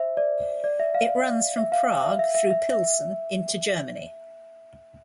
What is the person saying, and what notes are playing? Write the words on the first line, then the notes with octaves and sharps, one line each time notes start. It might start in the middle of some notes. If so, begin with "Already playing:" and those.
It runs from Prague through Pilsen into Germany.
Already playing: C5 E5
D5
D5
E5
F5
E5
F5
E5
E5
E5
E5
E5